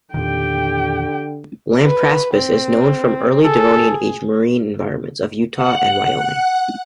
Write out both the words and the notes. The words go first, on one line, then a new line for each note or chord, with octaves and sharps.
"Lampraspis" is known from Early Devonian-aged marine environments of Utah and Wyoming.
E2 A#2 D3 D#3 G4 G5
B4
C4
G#4 A4
F#5 F#6